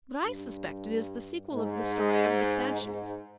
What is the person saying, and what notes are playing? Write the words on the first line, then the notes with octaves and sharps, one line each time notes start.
But I suspect it is the sequel of the story of the statues.
G2
G#2
G#2